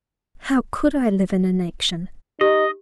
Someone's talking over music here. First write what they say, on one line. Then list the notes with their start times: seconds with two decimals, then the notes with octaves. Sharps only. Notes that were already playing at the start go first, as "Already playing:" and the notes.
How could I live in inaction?
2.41 D#4 G4 D#5